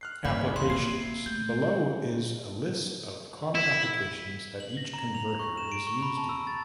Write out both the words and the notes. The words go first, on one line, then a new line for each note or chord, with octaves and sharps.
Applications: Below is a list of common applications that each converter is used in.
F6 F#6 C7
G2 E3 A#3 C#4 D5 F5 B5
C#3 F3 C#4
A#1 E2 C6
A#3 F4 G#6 C7
A3 G6
E4
F#7
A#6
A#5
F7
C#6
E7
D7
C#6
B5
A5
E6
A6